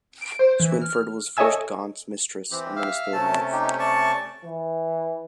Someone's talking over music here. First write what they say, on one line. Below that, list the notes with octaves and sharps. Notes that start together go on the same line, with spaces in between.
Swynford was first Gaunt's mistress, and then his third wife.
D7
C5
E3
F6
A4 C#5 D#5 E5 G#5 E6
E3 C4 G4
E5 F5 F6
C3 A3 C#4 A5
D#4 G4
D5 A5 C#6
E3